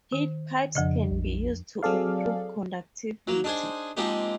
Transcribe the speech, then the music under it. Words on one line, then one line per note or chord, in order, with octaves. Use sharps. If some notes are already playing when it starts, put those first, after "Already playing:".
Heat pipes can be used to improve conductivity.
D#3
F2 C#3 F3 D#5
A#1
F#3 C4 G#4 A4 D5 F5
F#3 A#3
D4 D#4 G#4 C5 G#5
F3 G#3 A#3 C4 D#4 G4